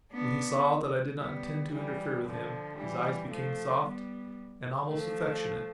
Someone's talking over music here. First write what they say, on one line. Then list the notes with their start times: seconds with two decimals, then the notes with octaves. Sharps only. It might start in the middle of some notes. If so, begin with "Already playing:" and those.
When he saw that I did not intend to interfere with him his eyes became soft and almost affectionate.
0.13 B3 D4
1.18 G3 B3
1.71 E3 G3
2.25 D3 F3
2.77 E3 G3
3.30 F3 A3
3.83 G3 B3
4.89 F3 A3